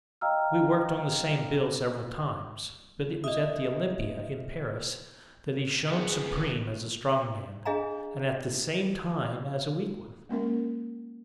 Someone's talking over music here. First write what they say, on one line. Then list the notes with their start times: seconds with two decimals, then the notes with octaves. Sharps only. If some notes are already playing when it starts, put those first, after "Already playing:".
We worked on the same bill several times; but it was at the Olympia, in Paris, that he shone supreme as a strongman--and at the same time as a weak one.
0.21 D#5 F5 G5 A#5 E6 F6
3.24 D#5 E5 D#6
5.89 F2 B3 G#4
7.65 D4 G#4 D#5 F5 G#5 A#5
10.29 G#3 A#3 C#4 A#4